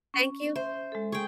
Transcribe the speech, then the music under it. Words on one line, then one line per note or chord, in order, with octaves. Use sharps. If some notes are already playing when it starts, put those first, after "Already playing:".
thank you
C#4
C5 E5
G#3 A4
G#4 G5 C#6